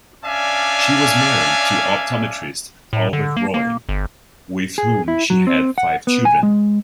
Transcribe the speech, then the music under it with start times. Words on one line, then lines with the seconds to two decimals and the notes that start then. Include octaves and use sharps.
She was married to optometrist Albert Roy, with whom she had five children.
0.24 C#4 D4 D5 E5 F5 G#5
2.93 A2
3.13 D3
3.37 A#3
3.54 A#3
3.89 G1
4.78 G#4
5.08 E4
5.30 F#3
5.47 C4
5.78 F#5
6.07 B3
6.25 G#5
6.43 G#3